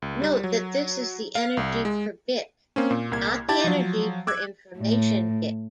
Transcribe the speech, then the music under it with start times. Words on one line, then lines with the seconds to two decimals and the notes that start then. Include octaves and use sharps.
Note that this is the energy per bit, not the energy per information bit.
0.02 C#2
0.22 G3
0.44 F#3
1.35 F5
1.57 C2
1.85 G#3
2.76 A#3 C4 C#4
2.91 A#2
3.12 C2 A#3 G#6
3.49 E4 G4 A5 A6
3.64 F3 F#3
4.27 D6 E6 F#6 G#6
4.77 A2